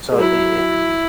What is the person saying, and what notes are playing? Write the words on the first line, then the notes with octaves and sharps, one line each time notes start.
So it it
G#3
F#3 E4